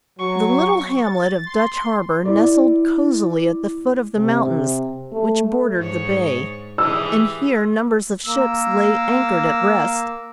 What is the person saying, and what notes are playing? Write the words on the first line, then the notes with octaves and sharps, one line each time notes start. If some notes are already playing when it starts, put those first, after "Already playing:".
The little hamlet of Dutch Harbor nestled cosily at the foot of the mountains which bordered the bay, and here numbers of ships lay anchored at rest.
F#3 C#6
A6
C6
E4 D5
C3
A3
G#2 C#5
E3 G4 G#4 E6
A#3 E6